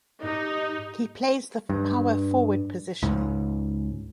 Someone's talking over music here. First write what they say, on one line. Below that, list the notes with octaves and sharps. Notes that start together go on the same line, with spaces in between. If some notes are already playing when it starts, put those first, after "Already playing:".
He plays the power forward position.
G#2 D#4 G4
G2
C#2 G#2